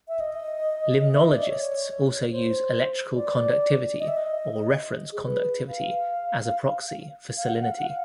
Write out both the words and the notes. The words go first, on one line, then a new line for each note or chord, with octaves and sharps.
Limnologists also use electrical conductivity, or "reference conductivity", as a proxy for salinity.
E5
D#5
E5
D#5
D5
C#5
C5
D5
D#5
E5
D#5
G#4
B4
F5
F5
F#5
F5
F#5
F5
F#5
F5